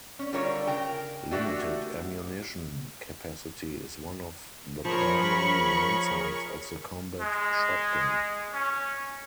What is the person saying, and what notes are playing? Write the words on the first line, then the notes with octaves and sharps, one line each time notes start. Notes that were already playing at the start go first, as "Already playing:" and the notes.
Limited ammunition capacity is one of the primary downsides of the combat shotgun.
C#4
D3 G3 F4 A#4 C#5
C#3 A#4 G5
A3 D4 F#4 G4 E5
F3 G#4 A#4 C#5 B5 C#6
G#3
C#4